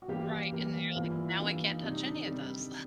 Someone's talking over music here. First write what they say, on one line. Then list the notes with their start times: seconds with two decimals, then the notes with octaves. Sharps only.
Right, and then you're like, "Now I can't touch any of those."
0.02 F#4
0.08 E3 G3 A#3 G4
0.52 E3 G3 A#3
0.96 E3 G3 A#3 F4
1.10 E4
1.25 E4
1.39 E3 G3 A#3 D4
1.68 D#4
1.83 C3 D#3 G3 D#4
2.05 D4
2.27 C3 D#3 G3